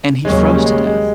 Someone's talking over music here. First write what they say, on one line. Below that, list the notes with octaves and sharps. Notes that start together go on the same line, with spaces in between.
and he froze to death.
D#2 C#3 F#3 G#3 A#3 C#4
G3
G#3
G#3